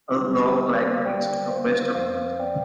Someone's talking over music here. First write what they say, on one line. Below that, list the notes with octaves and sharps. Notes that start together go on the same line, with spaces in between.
A long lake lies to the west of the city.
D2 D3 G3 G4
G4 C5
C5 F5
D2 D3 G3 D5 G5
C5 F5
F2 F3 C4 C5 F5
D5 G5